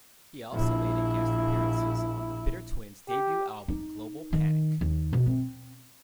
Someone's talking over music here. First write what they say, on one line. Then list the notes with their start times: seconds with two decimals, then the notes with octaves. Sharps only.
He also made a guest appearances on The Bitter Twins debut album Global Panic!
0.52 A#1 E4
3.09 G4
3.68 D#4
4.33 D#3
4.81 D#2
5.13 B2
5.26 C4